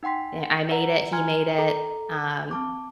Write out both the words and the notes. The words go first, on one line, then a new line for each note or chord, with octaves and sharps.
eh I made it, he made it, um
D#4 F#5 G5 C6 B6
B4 D5 F#5 A#5
G#5 A#5 C6 F6 G#6
A4 A#5
C4 A5 D6